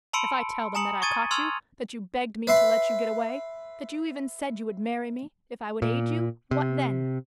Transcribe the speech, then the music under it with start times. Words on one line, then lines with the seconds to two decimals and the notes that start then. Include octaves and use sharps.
If I tell them that I caught you, that you begged me to let you get away--that you even said you would marry me, if I would aid you, what then?
0.13 A5 B5 C6 E6 C#7 D7
0.75 G#5 A#5 D#6 C#7 F#7
1.02 C#6 D#6 G#6 A6 D#7
1.31 C6 C#6 E6 F6 G#6 F7
2.47 B4 E5 C6
5.82 A#2
6.51 C3